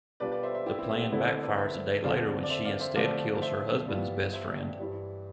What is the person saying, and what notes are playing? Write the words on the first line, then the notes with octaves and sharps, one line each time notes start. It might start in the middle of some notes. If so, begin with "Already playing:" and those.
The plan backfires a day later when she instead kills her husband's best friend.
B2 G3 D4 F4 B4 D5
B4 D5
C5 E5
C5 E5
E4 G4
C4 E4
A3
B3
D3 A3 B3 C4 D4 E4
A4 C5
B4 D5
C5 E5
F2 D3 F3 D5 F5
D5
C5 E5
D5 F5
C5 E5
D3 F3 A3 C4 F4 D5 F5
C5 E5
G2 E3 B3 F4
C5 E5
G2 E3 G3